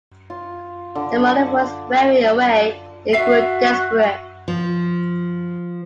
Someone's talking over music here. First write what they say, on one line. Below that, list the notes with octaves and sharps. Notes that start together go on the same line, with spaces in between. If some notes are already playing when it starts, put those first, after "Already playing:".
The morning was wearing away; he grew desperate.
F4
D3
F#4 E5 C7
F3